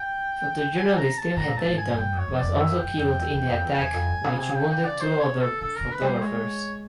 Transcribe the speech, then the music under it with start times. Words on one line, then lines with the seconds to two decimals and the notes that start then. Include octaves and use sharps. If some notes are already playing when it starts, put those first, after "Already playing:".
Photojournalist Tim Hetherington was also killed in the attack, which wounded two other photographers.
Already playing: G5
0.76 G#5
0.97 A#5
1.17 A5
1.37 A2 A#5
1.48 A#2
1.56 A2 A5
1.67 G#2
1.77 G#5
1.92 F#2
1.97 G2 G5
2.12 F#2
2.18 C#5
2.28 F2
2.38 D5
2.43 F2
2.57 F#2 E5
2.71 F2
2.78 G5
2.84 F#2
2.97 F2 G5
3.19 E2
3.34 E2
3.50 F2
3.64 E2
3.79 E2 G#5
3.94 F2
4.10 G2
4.24 C#3
4.37 C3 G#5
4.49 C#3
4.55 G5
4.70 G5
4.85 D5
5.00 C5
5.20 C#5
5.41 A4
5.61 D3 A4
5.76 A#4
5.81 D3
5.91 B4
6.01 G3 C5
6.21 G#3 C#5